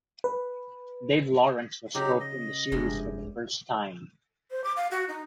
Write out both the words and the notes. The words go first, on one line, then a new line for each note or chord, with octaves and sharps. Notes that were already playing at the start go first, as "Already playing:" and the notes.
Dave Lawrence was roped in the series for the first time.
B4
C#3 F#3 D#4 G4
D#5
F1 G2 G#3 G4
C5
D6
F5
F#4
D#4